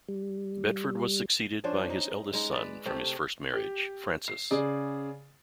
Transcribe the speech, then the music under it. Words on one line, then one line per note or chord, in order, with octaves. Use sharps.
Bedford was succeeded by his eldest son from his first marriage, Francis.
G3
F3 C#4 D4 C5
D#4
G#3 D#4
B4 D5
C3 A3 G4
G4
C7
C#3 G#4 D5